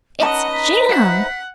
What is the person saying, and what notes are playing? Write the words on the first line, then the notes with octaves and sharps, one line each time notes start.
It's JAM!
C#4 D#4 B4 D#5 F#5 A5 A#5
B6
C5 E5 F#5